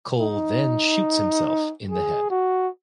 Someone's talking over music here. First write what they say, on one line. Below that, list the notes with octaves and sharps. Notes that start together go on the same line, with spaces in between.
Cole then shoots himself in the head.
D#4
G#4
F#4